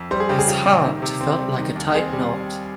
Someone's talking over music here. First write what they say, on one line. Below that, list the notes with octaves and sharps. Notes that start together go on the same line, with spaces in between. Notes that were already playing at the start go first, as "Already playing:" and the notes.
His heart felt like a tight knot.
Already playing: F2
G3 C5
G#4
C#3 G4
G#4
F3 G4
A#2
D#3
C3
C4
G3
D#3
D#2
C4 G#4
G3